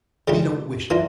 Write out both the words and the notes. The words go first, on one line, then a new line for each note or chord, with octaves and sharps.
We don't wish it.
C#2 C#3 G3 D4 G4
E3 A#3 D4 F4